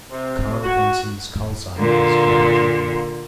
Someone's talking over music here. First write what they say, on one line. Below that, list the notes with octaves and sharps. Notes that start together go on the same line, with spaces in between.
"Carl Vinson"s call sign is "Gold Eagle".
C3
F#4
A#2 D3 A#3